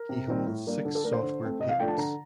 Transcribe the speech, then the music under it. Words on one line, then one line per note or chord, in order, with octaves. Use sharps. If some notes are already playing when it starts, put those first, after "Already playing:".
He holds six software patents.
Already playing: A#4
C3
D#3 G3 C4
A2
G3 A#3 D4
D3 A4
A4
A3 D4 A#4
C5
D3
A3 C4
C3 D#5
F5
F3 A3 D4 G5
A5
D3 A#5